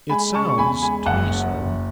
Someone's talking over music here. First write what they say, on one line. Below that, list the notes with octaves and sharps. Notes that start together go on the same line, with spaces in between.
'It sounds to me so.
G#3 G#5 B5
C#3 A5 C#6
C#6
E2 G#5 B5
G#3 G#5 B5
F#1 F#5 A5
F#2
F#1